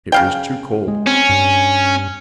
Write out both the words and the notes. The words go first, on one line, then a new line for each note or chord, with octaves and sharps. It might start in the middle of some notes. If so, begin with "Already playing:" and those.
It was too cold.
C#3 F5 G5
G#3
C4 C#4
G2